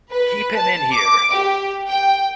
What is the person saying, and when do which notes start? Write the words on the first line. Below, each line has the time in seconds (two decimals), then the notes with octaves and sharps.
Keep him in here!
0.11 B4
0.55 A5
0.93 D6
1.33 G4
1.88 G5